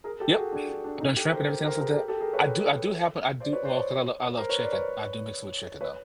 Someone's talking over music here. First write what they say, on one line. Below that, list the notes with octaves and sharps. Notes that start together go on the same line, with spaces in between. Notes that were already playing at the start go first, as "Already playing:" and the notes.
Yep. I've done shrimp and everything else like that. I do I do have I do well, 'cause I l I love chicken. I do mix it with chicken though,
G#4 A#4
G4 A4
F#4 G#4
D4
D4
D4
D#4
G4 A4
A#4 C5
A#4 C5
G#4 A#4
G4 A4
G4 A4
G#4 A#4
B4 C#5
C5 D5
B4 C#5
C5 D5
B4 C#5
A#4 C5
B4 C#5
C5 D5
B4 C#5
B4 C#5